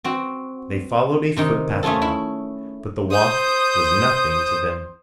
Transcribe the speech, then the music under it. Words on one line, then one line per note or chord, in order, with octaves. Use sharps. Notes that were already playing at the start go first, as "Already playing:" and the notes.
They followed a footpath now, but the walk was nothing to them.
C4 F#4
C3 D#3 D#4
A3 C#4 F4 G#4 A4
E4
C5 D#6 G6